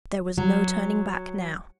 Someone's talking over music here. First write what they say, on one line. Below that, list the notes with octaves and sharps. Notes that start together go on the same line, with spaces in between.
There was no turning back now!
F#3